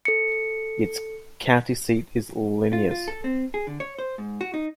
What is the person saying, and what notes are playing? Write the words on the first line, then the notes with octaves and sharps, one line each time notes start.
Its county seat is Linneus.
A4 C#7
F4
F4
A4
C4
G#4
D3
C#5
C5
G#2
F#4
D#4